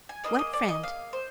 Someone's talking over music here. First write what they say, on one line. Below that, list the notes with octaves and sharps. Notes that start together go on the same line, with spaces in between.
"What friend?"
G#5
A#3 F4 G#4 D#5
D#5
D5
D#5
F5
C5